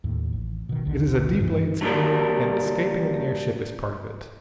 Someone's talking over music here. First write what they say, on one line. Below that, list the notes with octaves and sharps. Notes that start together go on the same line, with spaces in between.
It is a deep-laid scheme, and escaping in the airship is part of it.
D#2 A2
A1
B2 D#3
A#1 D#2 D3 D#3
G2 E3 A#3 C4
D3 F#3 G3 A#3 A#4